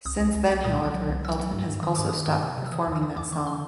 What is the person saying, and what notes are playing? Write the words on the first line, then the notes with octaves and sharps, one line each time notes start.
Since then, however, Elton has also stopped performing that song.
C2 D#6
C2
C2
C2
A#2 D#6
C2
F#3
C2
F#3 E6
F#3
G2
G2
D#3 D#6
G2 D6
D#3 D#6
G2
C3 E6
C3
E6
E3 D#6
E2
E6
E3 D#6
E2 D6
E3 C#6
C6